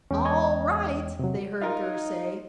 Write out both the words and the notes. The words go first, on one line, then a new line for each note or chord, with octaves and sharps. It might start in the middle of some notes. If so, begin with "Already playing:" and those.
"All right!" they heard Gurr say.
E2 G#3 C#4 G5
C#5 D#5 G#6
C3 F#3
D#4 F4 A#4